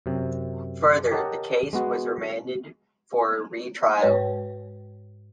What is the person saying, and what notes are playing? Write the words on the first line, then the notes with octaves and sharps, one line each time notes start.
Further, the case was remanded for a re-trial.
F#2 C3
G4 A#4 C#5 D#5 F#5 A5
G#3 B3 F#4
G#2 G#3 B4 C#5